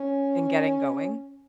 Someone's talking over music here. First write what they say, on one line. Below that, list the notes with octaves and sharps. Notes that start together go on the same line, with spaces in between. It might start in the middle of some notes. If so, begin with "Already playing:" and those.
and getting going.
Already playing: C#4